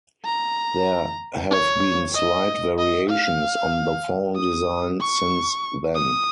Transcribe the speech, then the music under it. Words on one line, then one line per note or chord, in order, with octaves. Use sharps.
There have been slight variations on the font design since then.
A#5
C#5
D#5
D#5
F5
D#6
C#6
D#6